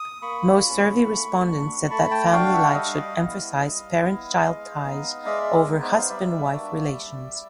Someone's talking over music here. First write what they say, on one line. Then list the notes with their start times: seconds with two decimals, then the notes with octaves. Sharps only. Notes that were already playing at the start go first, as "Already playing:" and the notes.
Most survey respondents said that family life should emphasize parent-child ties over husband-wife relations.
Already playing: D#6
0.22 A#3 B5 C#6
0.64 C#4 F4
1.06 A3
1.48 D4 F#4
1.90 A3 A5 B5
2.11 G5 A5
2.32 D4 F#4 F5 G5
2.53 E5 F#5
2.74 G3 D#5 F5
3.17 B3 E4
3.58 G3
4.00 B3 E4
4.41 G#3
4.84 B3 D#4
5.25 G#3 D5 E5
5.68 B3 D#4
5.82 C5 D5
5.98 F5
6.09 G3 D5 E5
6.52 A#3 D4 F#4
6.93 G3